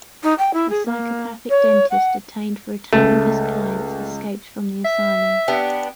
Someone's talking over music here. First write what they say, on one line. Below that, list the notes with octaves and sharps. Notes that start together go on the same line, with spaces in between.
A psychopathic dentist detained for attacking his clients escapes from the asylum.
D#4
G5
E4
G#4
A#3
C#5
F#5
C#2 A3
E5
B3 D4 G4